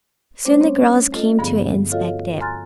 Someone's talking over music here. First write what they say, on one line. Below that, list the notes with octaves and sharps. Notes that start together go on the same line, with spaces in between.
Soon the girls came to inspect it.
G3 A3 C#4 D4 C5 C#5
C4 C#4 C#5
A3 F4 A4 D#5
G2 D3 F3 B3 G#4 B5
F4 F#4 A4 C#5 D#5 F5
G#5 A#5 C6 F6 F#6 A6